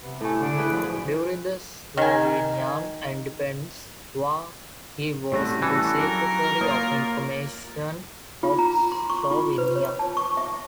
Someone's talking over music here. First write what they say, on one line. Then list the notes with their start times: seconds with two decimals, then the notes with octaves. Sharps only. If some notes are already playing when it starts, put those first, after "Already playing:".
During the Slovenian Independence War he was the Secretary of Information of Slovenia.
0.01 C3 B3
0.21 A2 A3 A4 G#5
0.39 D3 D4
0.57 E4 G#4 B4 G5
0.71 F#2 F3
1.97 D#3 G#5
5.32 A2 G3 A3 C4 C#4 F#4
5.62 E3 F#4 A4
5.98 F#3 A#4
6.61 A#3 F4 C#5 D#6
8.43 F4
8.58 A#5
8.92 C6
9.10 C#6
9.31 F4
9.58 B4
9.76 C#5
9.99 A5
10.17 C#6
10.37 E5